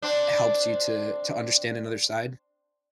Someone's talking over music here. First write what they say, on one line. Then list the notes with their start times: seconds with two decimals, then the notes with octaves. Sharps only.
helps you to to understand another side,
0.02 C4 D4